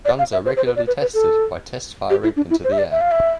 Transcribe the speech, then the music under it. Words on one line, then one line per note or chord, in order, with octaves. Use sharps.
Guns are regularly tested by test-firing into the air.
D5
F5
E5
C5
C5
B4
D5
B4
B4
A4
G4
E4
D4
E4
C5
E5
D5
E5
F5
E5